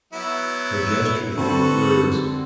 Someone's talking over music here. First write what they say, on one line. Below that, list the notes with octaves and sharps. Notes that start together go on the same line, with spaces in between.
Her gestures were furious.
F#3 B3 E4
D3 C4 F#4 A4 B4